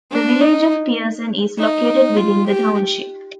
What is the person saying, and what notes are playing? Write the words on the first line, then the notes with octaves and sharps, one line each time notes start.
The Village of Pierson is located within the township.
D4
D#4
D#4
F4
G4